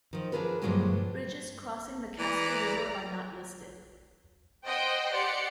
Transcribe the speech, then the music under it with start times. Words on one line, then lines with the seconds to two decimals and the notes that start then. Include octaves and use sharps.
Bridges crossing the Castor River are not listed.
0.13 D#3 F3
0.32 D4 F4 G#4 A#4 B4
0.62 G2 A#2 D3 F3 F#3 G#3
2.19 E3 D5 A#5
4.66 C5 D#5 F#5 G5
5.12 G4 D5 F#5 C6 C#7